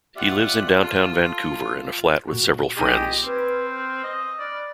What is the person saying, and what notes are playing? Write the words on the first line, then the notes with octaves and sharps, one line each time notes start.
He lives in downtown Vancouver in a flat with several friends.
F4 G4 D5 E5 F#5
F4 A4
A#2 F#4
B1 A#2 D#4 G4 G#4 D#5 D#7
C4 B4 F6 G#6
C5 F6 G6
D#5
D5 B5 F6 F#6